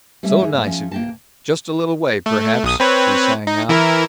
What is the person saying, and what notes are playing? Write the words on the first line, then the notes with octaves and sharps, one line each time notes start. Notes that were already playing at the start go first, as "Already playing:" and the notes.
"So nice of you--just a little way, perhaps?" she sang out.
G3 A3 C4 C#4 E5
E3 D#4 G#4
A2 A3
F3 C#4
A#3 G5 A5
A3
B1 D#6
C4 B4 C#5
D#4
E3 E4 A#4